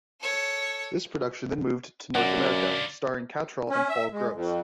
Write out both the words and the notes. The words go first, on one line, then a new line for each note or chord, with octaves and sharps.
This production then moved to North America, starring Cattrall and Paul Gross.
A4 C#5
F#2 D3 A#3 D5 F#5
C#4
E5
G#3
F2